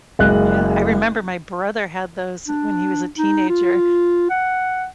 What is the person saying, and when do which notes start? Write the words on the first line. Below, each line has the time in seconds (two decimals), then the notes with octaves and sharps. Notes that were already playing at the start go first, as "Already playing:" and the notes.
Yeah, I remember my brother had those when he was a teenager,
0.19 F#1 G#3 F#6
2.48 D4
3.18 D#4
3.49 F4
4.30 F#5